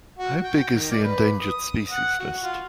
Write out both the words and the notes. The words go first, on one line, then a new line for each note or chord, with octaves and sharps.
How big is the Endangered Species List?
F#4
G5
D#3
D5
B4
D#6
F#5
F#4
F4